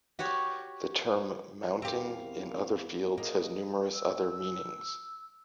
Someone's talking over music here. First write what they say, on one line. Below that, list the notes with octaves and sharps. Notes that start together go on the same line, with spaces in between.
The term mounting in other fields has numerous other meanings.
F#4 G4 C#5
E2 C4 G4 A#4 F5
A#3 G#4 D#5
E6